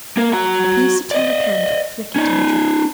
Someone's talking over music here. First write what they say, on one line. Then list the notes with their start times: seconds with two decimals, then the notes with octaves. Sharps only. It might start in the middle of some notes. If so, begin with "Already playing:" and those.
The piece of tallow-candle flickered in the draught.
0.17 A#3 A#4
0.33 F#4 A#5
1.11 D5 D#5
2.16 C#4 D#4